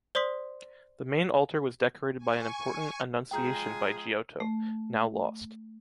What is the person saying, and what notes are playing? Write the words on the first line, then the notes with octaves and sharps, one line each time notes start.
The main altar was decorated by an important “Annunciation” by Giotto, now lost.
C5 D5 C6 D#6 B6
G#5 C#6
F3 G#3 G#4 G5 A#5 G6
A3